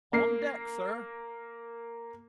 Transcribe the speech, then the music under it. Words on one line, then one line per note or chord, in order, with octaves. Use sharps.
"On deck, sir."
A#3 A#4 C7